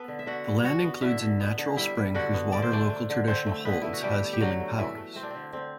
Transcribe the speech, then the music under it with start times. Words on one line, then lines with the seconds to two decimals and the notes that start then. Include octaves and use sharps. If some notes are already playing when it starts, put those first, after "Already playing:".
The land includes a natural spring whose water local tradition holds has healing powers.
Already playing: B3 A4 B4
0.08 D3
0.19 E5
0.26 D3 F#4 F#5
0.46 G3
0.64 B3 F#4 F#5
0.84 B3
1.01 D3 E4 E5
1.21 D3
1.40 B3
1.58 D3
1.77 G3 E4 E5
1.97 G3
2.15 D3 F#4 F#5
2.34 B3
2.52 D3 D5
2.62 C5
2.72 A3 D4 D5
2.90 A3
3.10 D3
3.27 D3 C4 C5
3.46 A3
3.65 D3 B3 B4
3.82 A3 E4
3.93 F#4
4.03 G3 A3 G4
4.22 A3
4.33 G4
4.41 D3 F#3 F#4
4.60 A3
4.78 E3 A3 E4
4.97 A3
5.16 A3 C4
5.23 D4
5.30 D3 C4
5.53 D3 C4